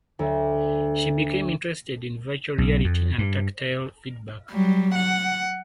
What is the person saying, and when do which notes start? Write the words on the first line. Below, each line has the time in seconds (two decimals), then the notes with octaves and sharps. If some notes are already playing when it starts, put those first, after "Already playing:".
She became interested in virtual reality and tactile feedback.
0.19 D2
2.58 B1
2.84 F2
3.18 G2
4.51 F#3 G3
4.95 F#5